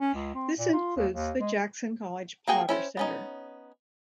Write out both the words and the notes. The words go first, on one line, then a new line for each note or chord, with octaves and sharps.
This includes the Jackson College Potter Center.
C#4
C#2
C4
A#2
F4
D#2
D#2
G#3
A#3 F#4 G#4 G5
C#4 E4 C5
B3 C#4 D#4